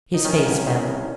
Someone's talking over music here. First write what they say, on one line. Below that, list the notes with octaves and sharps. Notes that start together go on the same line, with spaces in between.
His face fell.
D#4
D#3 C#4
C2
D#3
C2